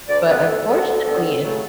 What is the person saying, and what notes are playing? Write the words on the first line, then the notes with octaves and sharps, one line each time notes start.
but unfortunately in
D2 D5
D3 G3 B3 B4
B4
D2 A4
D3 G3 B3
D2
D3 G3 B3
C#2
C#3 F#3 A3